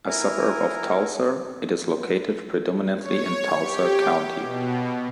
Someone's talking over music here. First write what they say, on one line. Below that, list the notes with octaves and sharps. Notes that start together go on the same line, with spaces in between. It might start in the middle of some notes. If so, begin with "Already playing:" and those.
A suburb of Tulsa, it is located predominantly in Tulsa County.
E4 A#4 G#5 A#5
C#5
G4
B2